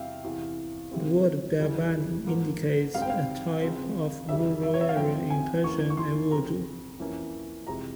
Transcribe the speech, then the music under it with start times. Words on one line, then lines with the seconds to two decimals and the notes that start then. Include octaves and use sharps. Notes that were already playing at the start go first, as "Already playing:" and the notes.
The word "Biabani" indicates a type of rural area in Persian and Urdu.
Already playing: E2 C3 G3 E5 F5 G5
0.24 E2 C3 E3
0.91 C3 E3 G#3 C4
1.59 E2 C#3 E3 G3
2.26 G#2 F3 A#3
2.94 G#2 G3 C4 F5
3.02 G5
3.10 F5
3.61 C#3 F3 C4
4.29 F2 C#3 G3 E5
4.63 E5
4.74 C#5
4.81 E5
4.89 F5
4.97 G#2 F3 C4 G5
5.30 G#5
5.64 E2 E3 A#3 C#4 C#6
5.90 C#6
5.97 C6
6.31 C#3 F3 C4 A#5
7.00 F2 E3 A#3 C#4
7.67 F2 C3 E3 G#3 A#5